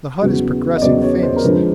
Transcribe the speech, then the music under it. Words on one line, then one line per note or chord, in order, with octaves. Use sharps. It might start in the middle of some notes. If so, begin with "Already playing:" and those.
The hut is progressing famously.
E2 C#3 F#3
D#5
E2 C#3 F#3 D5
C#5
C5
A#4
F2 D3 F3 G#3 B4